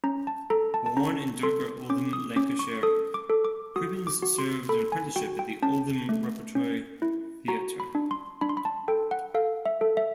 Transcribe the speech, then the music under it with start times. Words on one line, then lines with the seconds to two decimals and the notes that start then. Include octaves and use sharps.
Born in Derker, Oldham, Lancashire, Cribbins served an apprenticeship at the Oldham Repertory Theatre.
0.04 C#4 A#5
0.27 A5
0.50 A4 A#5
0.74 A5
0.86 A5
0.97 C#4 A#5
1.43 A4 C6
1.90 C#4 D6
2.13 D#6
2.36 C#4 D6
2.59 C#6
2.83 A4 D#6
3.14 D6
3.30 A4
3.45 D6
3.76 F#4 D#6
4.07 D6
4.22 F#4
4.38 C6
4.69 A4 B5
4.92 G#5
5.16 F#4 G5
5.39 G5
5.62 C#4 A5
6.09 A3
6.55 C#4
7.02 E4
7.48 F#4 A#5
7.80 B5
7.95 D4
8.11 C6
8.41 D4 B5
8.49 C6
8.57 B5
8.65 A5
8.88 A4 G5
9.11 F#5
9.35 A4 F5
9.66 E5
9.81 A4
9.97 E5